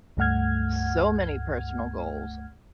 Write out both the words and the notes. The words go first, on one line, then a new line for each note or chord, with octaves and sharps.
so many personal goals,
C#2 G2 A3 F#5 F6 G#6